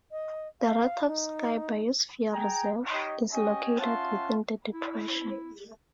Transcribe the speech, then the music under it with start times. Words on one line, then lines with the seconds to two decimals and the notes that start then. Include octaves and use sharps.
The Rostovsky Biosphere Reserve is located within the Depression.
0.11 D#5
0.61 F5
1.07 D#4
2.33 G#4 G5 G#5 A#5
2.91 D#4 G4 C#5 D#5
3.33 C#4 G4 D#5 G#5
3.79 C#4 F4 E5 F#5 A5 C6
4.73 E4